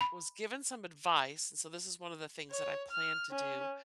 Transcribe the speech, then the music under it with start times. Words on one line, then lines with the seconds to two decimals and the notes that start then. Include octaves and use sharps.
was given some advice, and so this is one of the things that I plan to do,
0.01 B5
2.50 C#5
2.91 F6
3.31 C#4